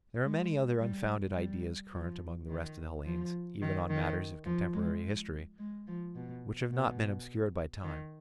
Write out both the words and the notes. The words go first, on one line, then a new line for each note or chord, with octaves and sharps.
There are many other unfounded ideas current among the rest of the Hellenes, even on matters of contemporary history, which have not been obscured by time.
G#3
G3
G3
F3
D#3
F3
D#3
D#3
F3
G#3
G#3
F3
B2
B2
D#3